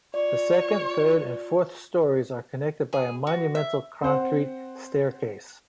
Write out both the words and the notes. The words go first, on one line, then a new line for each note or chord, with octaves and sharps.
The second, third, and fourth stories are connected by a monumental concrete staircase.
F4 C#5 D5
G#4
F#4
E5
C4 C5 F#5